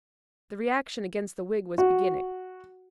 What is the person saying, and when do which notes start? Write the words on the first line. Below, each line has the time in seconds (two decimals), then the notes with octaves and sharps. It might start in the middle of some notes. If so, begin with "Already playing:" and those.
The reaction against the wig was beginning.
1.78 F#4